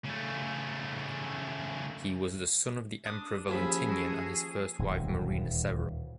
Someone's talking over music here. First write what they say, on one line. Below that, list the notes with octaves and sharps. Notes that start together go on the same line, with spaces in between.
He was the son of the emperor Valentinian and his first wife Marina Severa.
C#3 A3
D4 D6 D#6
D#2 F3 C#4 E4 G#4 A5 B5
F#4 A4
D#1 D2 A2